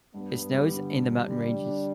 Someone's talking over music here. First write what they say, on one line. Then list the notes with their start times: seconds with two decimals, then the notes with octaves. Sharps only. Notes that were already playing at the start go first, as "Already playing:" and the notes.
It snows in the mountain ranges.
0.14 G2 B3
0.32 G2
0.52 G3
0.71 D3
0.90 G2
1.09 G2
1.27 D3 G3
1.46 D3
1.66 D4